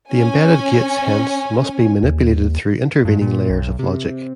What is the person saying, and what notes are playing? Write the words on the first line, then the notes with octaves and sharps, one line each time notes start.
The embedded gates, hence, must be manipulated through intervening layers of logic.
C#4 G#5
D#2
G2
A#2
B1
C3